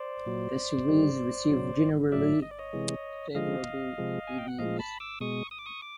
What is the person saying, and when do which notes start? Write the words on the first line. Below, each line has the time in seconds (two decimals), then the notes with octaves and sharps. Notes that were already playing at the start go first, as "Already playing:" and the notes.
The series received generally favourable reviews.
Already playing: C5 D5
0.26 A#2 F#3
0.89 D3 G3
1.50 C#3 F#3
2.12 A2 F#3 D5 E5
2.42 D#5
2.51 D5
2.59 C#5 D#5
2.73 C3 E3 G#3
3.35 D3 F3 G#3 D#5 F5
3.98 C3 F3 G#3
4.27 G#5
4.38 G5
4.48 F#5
4.58 A#2 F3 G#3 D#5 F5
4.79 A5 B5
5.00 D6 E6
5.20 B2 G#3 C#6 D#6
5.51 D#6
5.59 D6
5.66 C#6 D#6
5.82 D6